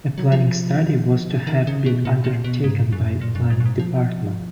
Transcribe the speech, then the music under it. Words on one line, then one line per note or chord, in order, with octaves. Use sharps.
A planning study was to have been undertaken by the Planning Department.
F#3
F3
D#3
C#3
B2
A#2
A#2
B2
G#2
F#2
A#2
F#2
G#2
F#2
G#2
F3